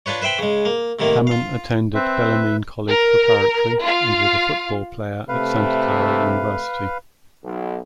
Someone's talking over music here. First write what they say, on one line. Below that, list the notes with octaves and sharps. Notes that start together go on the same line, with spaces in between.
Hamann attended Bellarmine College Preparatory and was a football player at Santa Clara University.
D4 F4 B4 C#5
B4 C5 E5 G5 B5
C#3 G#3
A#3
A2 C3 D#3 A#3
F4 F5
C4 B4 E5
A#4
F4 F5
C3 A3 B4 F5
B1